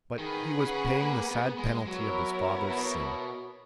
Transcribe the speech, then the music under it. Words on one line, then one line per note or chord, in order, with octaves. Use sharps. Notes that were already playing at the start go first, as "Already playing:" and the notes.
But he was paying the sad penalty of his father's sin.
D#3 G#4 B4 F#5
C#3
A#3
B3
G#3
F#3 B3 E4 A#4 C#5
B2